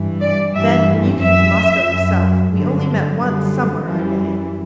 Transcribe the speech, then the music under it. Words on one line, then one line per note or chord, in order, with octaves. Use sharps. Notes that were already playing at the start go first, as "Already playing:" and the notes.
Then, when you came to Moscow yourself, we only met once somewhere, I believe.
Already playing: G2 E3 G3
D5
G2 E3 G3 E5
F#2 F#3 E5
F#2 F#3
G2 D3 F#3
F#2 D3 G3
F#2 E3 G3